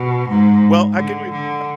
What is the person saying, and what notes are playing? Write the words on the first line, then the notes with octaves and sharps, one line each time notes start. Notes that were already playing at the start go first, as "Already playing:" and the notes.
Well, I can re uh
Already playing: B2
G#2
D3
D3